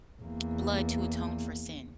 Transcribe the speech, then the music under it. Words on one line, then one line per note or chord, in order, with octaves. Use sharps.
blood to atone for sin.
E2 A#3